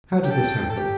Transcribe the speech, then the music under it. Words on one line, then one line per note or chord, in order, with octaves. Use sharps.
How did this happen?
G4
A4 G5
A4
G4